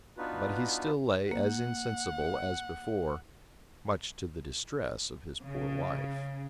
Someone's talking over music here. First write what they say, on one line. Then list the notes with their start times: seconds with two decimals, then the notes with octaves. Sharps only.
But he still lay as insensible as before, much to the distress of his poor wife.
0.18 B3 D4 D#4 F4 F#4 B4
1.31 A#3 F#5
5.44 C#3